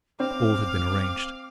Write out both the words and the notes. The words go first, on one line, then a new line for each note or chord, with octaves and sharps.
All had been arranged.
C4 F5 D6